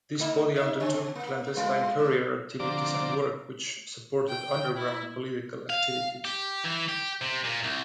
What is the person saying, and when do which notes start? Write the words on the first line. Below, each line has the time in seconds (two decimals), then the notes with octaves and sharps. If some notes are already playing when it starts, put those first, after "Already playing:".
This body undertook clandenstine courier activities and work which supported underground political activities.
0.20 A3 D#4
0.56 D#4 E5
0.80 C#3 C4
1.15 A#3
1.57 G3 B3 F4
1.99 A2 A3
2.60 D3 F3 C4 D5 A#5 D6
4.27 G5
4.76 E4
5.70 F5
6.25 G4
6.65 E3
6.89 G4
7.22 C3
7.44 A#2
7.64 C2